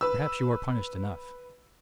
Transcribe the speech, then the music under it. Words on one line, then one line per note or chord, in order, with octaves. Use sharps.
Perhaps you are punished enough.
B4 E6